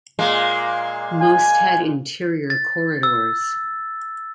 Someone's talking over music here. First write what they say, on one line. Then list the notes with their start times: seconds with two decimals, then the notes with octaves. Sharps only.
Most had interior corridors.
0.19 A#2 G#3 A#3
1.20 G#5
2.50 A6
3.03 E6